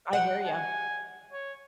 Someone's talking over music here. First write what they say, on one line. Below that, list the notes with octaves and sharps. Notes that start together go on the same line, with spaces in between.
I hear ya.
F#5 G5
G#5
C#5